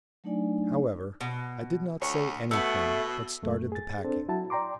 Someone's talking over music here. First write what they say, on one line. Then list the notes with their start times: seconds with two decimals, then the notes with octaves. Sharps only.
However, I did not say anything, but started the packing.
0.24 F#3 A3 D4 D#4 D5 G#5
1.21 B2
2.02 D2 C#5
2.51 B2 A3 B3 E6
3.43 F#2 A3
3.72 G#4 A6
4.05 C4 D4 A4 C5
4.28 F#3 E4 F#4 A5
4.50 D5 G5 A#5 C6 D6